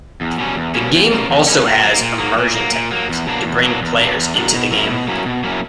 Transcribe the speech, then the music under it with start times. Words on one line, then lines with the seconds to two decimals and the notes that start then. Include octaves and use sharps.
The game also has immersion techniques to bring players "into the game".
0.21 E2
0.38 B2 G3 A#3 C#4
0.56 E2
0.74 B2 G3 A#3 C#4
0.93 E2
1.12 B2 G3 A#3 C#4
1.29 E2
1.47 B2 G3 A#3 C#4
1.65 A#2
1.83 F#3 A#3
2.01 A#2
2.19 F#3 A#3
2.38 A#2
2.55 F#3 A#3
2.73 A#2
2.92 F#3 A#3
3.09 E2
3.27 B2 F#3 A#3 D4
3.45 E2
3.64 B2 F#3 A#3 D4
3.82 E2
3.99 B2 F#3 A#3 D4
4.17 E2
4.35 B2 F#3 A#3 D4
4.53 B2
4.71 F#3 A#3 C#4 E4
4.90 B2
5.08 F#3 A#3 C#4 E4
5.26 B2
5.44 F#3 A#3 C#4 E4